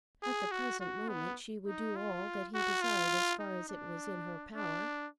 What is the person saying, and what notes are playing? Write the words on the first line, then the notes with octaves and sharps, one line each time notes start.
At the present moment she would do all that he desired as far as it was in her power.
G#4
F#4
F#4
B3
D#4
F4
F#4
F4
D#4
D4
D4